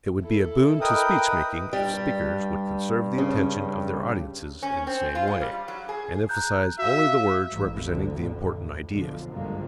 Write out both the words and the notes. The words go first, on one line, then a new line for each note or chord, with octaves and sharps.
It would be a boon to speech-making if speakers would conserve the attention of their audiences in the same way and emphasize only the words representing the important ideas.
E4 A4
A#4 B4 D#5 G5 D#6
G2 G3
C#3 C#4
C#4
C4
F4
G#3
G3
F#3
G#4
A#5 F#6 G6
F#4 E5 F5
A1 G#2
D2 D3
F2 A2 D3
A2
B1 D3 F3
F#1 G2 D3 F3 G#3 A#3